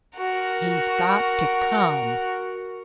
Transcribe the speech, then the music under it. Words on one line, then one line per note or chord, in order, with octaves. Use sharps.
"He's got to come!"
F#4 A#4